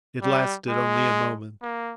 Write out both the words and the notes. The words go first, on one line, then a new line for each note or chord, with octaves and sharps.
It lasted only a moment.
G3
G#3
A#3